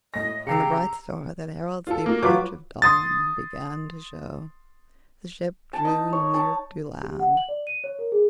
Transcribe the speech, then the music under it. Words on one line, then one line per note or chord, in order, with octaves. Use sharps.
When the bright star that heralds the approach of dawn began to show, the ship drew near to land.
A2 D#5 A#6
C#3 G4 A#5 E6 C7 C#7
F4 A4
A#3 F4
F#3 F4 B4 D6
C6 D#6 A6
A5
D#4
C#5
A5
G4
F#5
F#7
D5
D#7
C#5
A#4
G#4